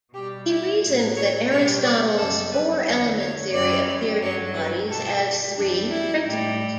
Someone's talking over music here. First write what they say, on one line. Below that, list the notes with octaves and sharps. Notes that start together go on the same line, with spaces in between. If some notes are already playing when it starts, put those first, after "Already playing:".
He reasoned that Aristotle's four element theory appeared in bodies as three principles.
B2 G3 G4
E4
A2 F#3
C#5
B2 G3 C#5
D5
F#2 C#3 G3 A4
B4
E2 D3 F#3 C#5
C#5
F#2 C#3 G3 D5
G2 F#3 C#5
B4
B2 G3 A4
F#2 E3 G3 D4
E4
A2 G3